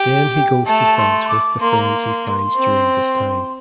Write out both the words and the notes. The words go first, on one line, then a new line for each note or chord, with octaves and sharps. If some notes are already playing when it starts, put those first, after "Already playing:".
Then he goes to France with the friends he finds during this time.
Already playing: G4 G5
A3 A5
C6
C6
D6
A#3 C6
A#5
C6
C4